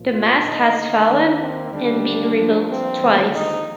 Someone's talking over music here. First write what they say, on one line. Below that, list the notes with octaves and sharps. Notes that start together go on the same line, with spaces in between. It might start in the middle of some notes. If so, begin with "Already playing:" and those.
The mast has fallen and been rebuilt twice.
Already playing: C2 A#2 F3
F4
D#2 D3 F3 A#3 D#4
D#2 D#3 A#3 D4
C4
D#2 D3 G3 D4
G2 F3 A#3
C4
D#2 D3 F3 G#3
D#4